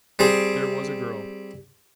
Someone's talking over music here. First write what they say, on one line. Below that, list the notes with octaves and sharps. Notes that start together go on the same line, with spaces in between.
There was a girl.
G3 C4 G#4